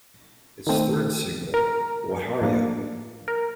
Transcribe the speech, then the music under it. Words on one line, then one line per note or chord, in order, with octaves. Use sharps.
Its third single, Whatareya?
D#3 A3 C4
A#4
A2 F3 A#3 D4
A#4